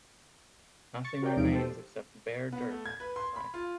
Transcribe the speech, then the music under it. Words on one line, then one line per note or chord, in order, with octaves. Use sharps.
Nothing remains except bare dirt at the site.
C#6 A6
F#4 G4 A#4 C#5 D5 G5
E2 F3 G#3 D#4 F5 D7
G4 A4 C5
B3
A3
G#6
B4
C6
B5
F4